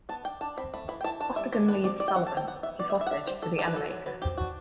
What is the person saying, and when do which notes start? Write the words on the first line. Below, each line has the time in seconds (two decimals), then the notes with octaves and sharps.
Costigan leads Sullivan, his hostage, to the elevator.
0.09 B3 A5
0.25 D4 G5
0.41 D4 A5
0.57 C4 B5
0.74 A3 B5
0.88 E3 B5
1.01 G5
1.04 E3 A5
1.21 D4 A5
1.36 G3 E5
1.52 D4 C5
1.68 D4 B4
1.83 C4 D5
2.00 G3 D5
2.08 G5
2.16 C4 F#5
2.27 A5
2.32 C4
2.37 G5
2.47 B3 F#5
2.63 B3 E5
2.79 B3 D5
2.90 E5
2.95 D4
3.01 E5
3.07 F#5
3.11 D4 E5
3.26 G3 C5
3.42 D4 A4
3.59 D4 A4
3.68 B4
3.75 F#3 A4
3.90 F#3
4.06 F#3 B4
4.22 C4 G4
4.38 D4 F#4